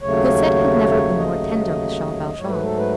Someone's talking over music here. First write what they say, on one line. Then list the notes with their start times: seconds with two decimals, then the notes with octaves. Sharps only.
Cosette had never been more tender with Jean Valjean.
0.01 D#2 C#3 F#3 A3 C#5
1.17 D#5
2.34 G#2 F#3 A3 C#5
2.48 B4
2.62 A4
2.77 B4